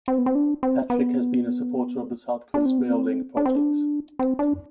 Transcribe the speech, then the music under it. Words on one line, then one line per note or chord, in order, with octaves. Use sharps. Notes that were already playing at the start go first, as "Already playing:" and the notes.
Patrick has been a supporter of the South Coast Rail Link project.
C4
B3
C4
D4
C4
B3
D4
C4
B3
C4
D4
C4
D4
C4
D4